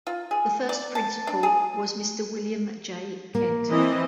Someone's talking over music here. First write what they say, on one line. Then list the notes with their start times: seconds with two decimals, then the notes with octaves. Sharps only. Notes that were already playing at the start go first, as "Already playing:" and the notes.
The first principal was Mr. William J. Kent.
0.07 F4
0.31 G#4
0.69 D5
0.95 A5
1.27 D4
1.43 G#4
3.35 A#3
3.69 E3 C4 D#5